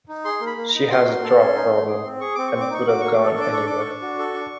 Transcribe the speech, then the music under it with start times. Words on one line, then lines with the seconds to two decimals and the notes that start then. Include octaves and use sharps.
She has a drug problem, and could have gone anywhere.
0.08 D#4
0.25 G#4 C6
0.41 A#3
0.46 B5
0.58 A#3
0.68 A#5
0.74 D#4
0.90 F#4 C6
1.07 A#3
1.23 A4
1.39 C#4
1.55 D#4
1.72 A3
1.88 G#4
2.05 C4
2.21 G#4 C#6
2.35 C4 D6
2.48 C#6
2.54 C4
2.61 D6
2.71 D#4 C#6
2.87 F#4 D6
3.01 A#3 C#6
3.14 D6
3.20 A4
3.27 C#6
3.36 D4
3.41 D6
3.52 A4 C#6
3.67 D4 D6
3.80 C#6
3.85 D4
4.02 F#4
4.18 A4
4.34 D4